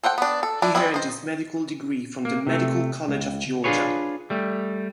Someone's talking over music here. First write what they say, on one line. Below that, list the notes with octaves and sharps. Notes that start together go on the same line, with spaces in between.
He earned his medical degree from the Medical College of Georgia.
A4 C5 F#5 G5
B3 D4
A4
D4 E4
G3 G#3 C4 E4
C5 D#5
A#3
C3 A3
C#2
D4 F4 F#4 G#4 B4 C#5
G3 A3